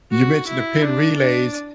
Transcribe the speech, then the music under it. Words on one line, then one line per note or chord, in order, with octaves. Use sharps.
You mentioned the pin relays.
F#4
E4
D4
D4